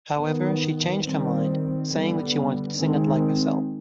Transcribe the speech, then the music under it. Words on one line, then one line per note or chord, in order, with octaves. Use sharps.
However, she changed her mind, saying that she wanted to sing it like herself.
D#3 B3
D#3 G3 C4
D3 G3 B3
D#3 G#3 C4